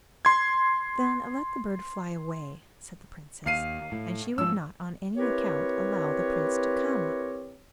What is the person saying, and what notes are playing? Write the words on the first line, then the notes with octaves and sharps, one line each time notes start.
'Then let the bird fly away,' said the Princess; and she would not on any account allow the Prince to come.
C6 G#6
D#2 F5 C7 D#7
A2
G#2 F3 E6
C4 E4 G4 A#4 B4 C#5